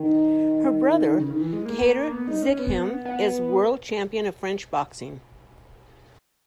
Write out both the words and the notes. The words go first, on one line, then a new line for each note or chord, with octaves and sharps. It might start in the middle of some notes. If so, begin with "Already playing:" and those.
Her brother, Kader Zighem is world champion of French boxing.
Already playing: D#3
C#3
D#3
E3
G#3
A#3
B3
D#4
C#4
B3
B3